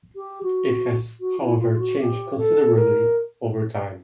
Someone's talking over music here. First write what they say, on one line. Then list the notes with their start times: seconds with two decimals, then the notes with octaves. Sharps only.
It has however changed considerably over time.
0.16 G4
0.43 F#4
1.20 F#4
1.40 E4
1.59 F4
1.79 F#4
1.98 G4
2.38 A4
2.75 A#4